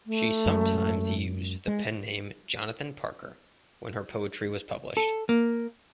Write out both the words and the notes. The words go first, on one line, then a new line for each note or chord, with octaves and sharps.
She sometimes used the pen name "Jonathan Parker" when her poetry was published.
A3
F#2 G#3
G#3
A4
A#3